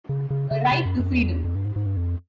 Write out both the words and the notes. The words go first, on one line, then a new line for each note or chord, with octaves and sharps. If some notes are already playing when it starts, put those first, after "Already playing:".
A right to freedom.
C#3
C#3
C#3
C3
F#2
F#2
E2
F2
E2
F2
G2
G#2
G#2
G2
F2